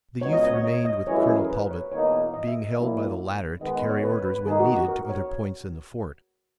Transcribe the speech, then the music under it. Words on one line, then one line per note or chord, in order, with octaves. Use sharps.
The youth remained with Colonel Talbot, being held by the latter to carry orders when needed to other points in the fort.
C#2 B2 F#3 B3 D#4 C#5
D#5
D#5
C#5
D#5
D#5
F#2 E3 G#3 C#4 E4 C#5
G#4
G#4
A#4
B4
C#5
E2 B2 A#3 D#4 A#4 C#5
D#5
E5
D#5
A#1 A#2 F#3 A#3 E4
D#3 G#3 B3 D#5
D#5
C#5
B4
B4
D#3 A#3 D#4 G#4
F#4
F#4
A#4
C#5